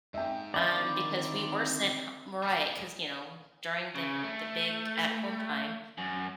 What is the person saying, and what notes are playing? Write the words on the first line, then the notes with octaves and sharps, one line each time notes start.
um, because we were sent h mo right, 'cause, you know, during the the big at home time,
G#2 E5 G5
D3 D#3 C4 D5 E5 B5
A#3 G#4
C#3
A3
F#2